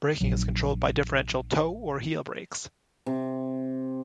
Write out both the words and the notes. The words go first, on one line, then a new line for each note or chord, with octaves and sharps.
Braking is controlled by differential toe or heel brakes.
A#1 F#3
C3